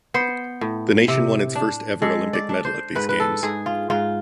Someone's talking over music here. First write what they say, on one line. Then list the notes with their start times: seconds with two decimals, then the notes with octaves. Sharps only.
The nation won its first ever Olympic medal at these Games.
0.14 B3 C5
0.61 A2
1.08 C3
1.55 D4
2.02 G#3 A4
2.33 D5
2.49 D4
2.65 C5
2.95 G#2 B4
3.09 B4
3.20 A4
3.43 G#2 G#4
3.66 F4
3.90 G#2 F4